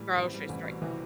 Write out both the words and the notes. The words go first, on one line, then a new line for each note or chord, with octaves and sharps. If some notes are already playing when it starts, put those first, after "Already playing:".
grocery store
Already playing: A2 E3 G3
A1 B3
C4
G3 B3
A1 E3 G3
B2
C3 E3